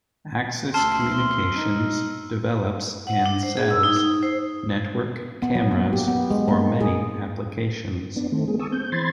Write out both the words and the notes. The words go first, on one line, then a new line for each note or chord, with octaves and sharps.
Axis Communications develops and sells network cameras for many applications.
D2 A5 C6 E6 F6
D#4
F#5
D4
C5
G#4
E6
D#4
D#4
C5
B3
F#3
A#3
G4
B3
G#3
A#3
G#4
B3 D4
D#3 A3 C4
G#3 A#3 G#4
B3 G#5 A5 C#6 D#6 E6
C4 G6
E3 C5 B5 C6 G#6 A6